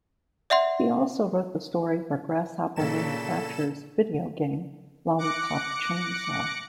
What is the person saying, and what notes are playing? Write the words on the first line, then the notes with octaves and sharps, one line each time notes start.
He also wrote the story for Grasshopper Manufacture's video game "Lollipop Chainsaw".
D5 E5 F#5 C6
A#2 C#3 A4 E7
D6 F#6 A#6 C#7